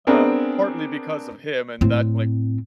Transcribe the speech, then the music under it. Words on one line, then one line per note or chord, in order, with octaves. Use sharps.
Um, partly because of him and that like,
B3 C4 D4 G#4 A#4
A2 C4